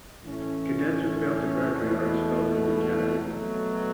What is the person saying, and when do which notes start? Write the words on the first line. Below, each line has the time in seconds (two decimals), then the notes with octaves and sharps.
Cadets who fail to graduate are expelled from the Academy.
0.23 A2 E3 A3 C#4
1.70 E2 B2 A3
3.17 B2 F#3 A3